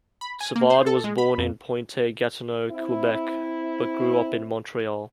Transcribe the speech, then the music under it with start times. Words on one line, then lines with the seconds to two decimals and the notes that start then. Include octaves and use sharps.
Savard was born in Pointe Gatineau, Quebec, but grew up in Montreal.
0.21 B5
0.41 G#5
0.56 A#3
0.70 C5
0.86 A4
1.04 G#3
1.18 B5
1.38 F2
2.71 C4 E4